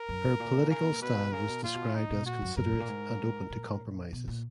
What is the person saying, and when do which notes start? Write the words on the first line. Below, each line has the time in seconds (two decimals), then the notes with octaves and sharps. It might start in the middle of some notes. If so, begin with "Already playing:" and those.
Her political style was described as considerate and open to compromises.
Already playing: A#4
0.09 F#2
0.25 G#2
0.40 A#2
0.70 C#3 A#4
0.81 B2
0.91 A#2
1.01 B2 B4
1.33 C#3 A#4
1.48 B2
1.64 A#2 F4
1.74 B2
1.84 C#3
1.95 D#4
2.10 B2
2.26 A#2 F#4
2.42 F#2
2.57 F#2 A#4
2.73 G#2
2.80 A#2
2.89 G#2
3.50 A#2
4.13 B2
4.28 A#2